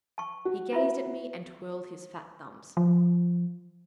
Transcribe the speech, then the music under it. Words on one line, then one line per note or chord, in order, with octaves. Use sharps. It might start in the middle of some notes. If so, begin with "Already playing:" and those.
He gazed at me, and twirled his fat thumbs.
A5 C#6
F#4
E4 F4 E5
F3